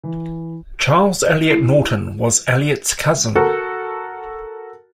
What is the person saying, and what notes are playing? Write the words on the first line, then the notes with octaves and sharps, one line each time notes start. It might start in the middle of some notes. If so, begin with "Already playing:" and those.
Charles Eliot Norton was Eliot's cousin.
E3
E4
F#4 A4 A#4